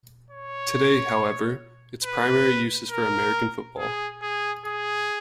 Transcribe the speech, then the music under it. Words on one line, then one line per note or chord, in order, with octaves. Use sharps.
Today, however, its primary use is for American football.
C#5
B4
A#4
G#4
G#4
G#4